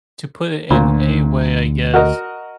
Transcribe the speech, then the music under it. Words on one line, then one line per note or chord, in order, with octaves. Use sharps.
To put it in a way, I guess,
D2 A#2
F#4 A#4 D#5